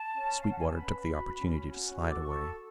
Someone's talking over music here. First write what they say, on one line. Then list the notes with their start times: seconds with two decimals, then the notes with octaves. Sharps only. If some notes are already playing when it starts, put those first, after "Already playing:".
Sweetwater took the opportunity to slide away.
Already playing: A5
0.15 C#4
0.42 F5
0.46 C#4 F#5
0.59 G#5
0.68 A5
0.76 B4 B5
1.07 F#4
1.37 C#4
1.67 F#4
1.97 A4 C#6
2.09 D6
2.20 C#6
2.27 A4